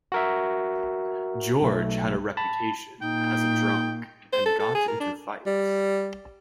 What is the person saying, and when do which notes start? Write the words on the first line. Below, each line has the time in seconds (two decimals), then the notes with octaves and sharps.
George had a reputation as a drunk and got into fights.
0.12 F#4 A#4 E5
1.62 B1 A3
2.37 A5 B5
3.02 A#2 D#4 G5
4.33 C5
4.46 A4
4.59 A4
4.75 G#4
4.88 A#4
5.00 D4
5.46 G3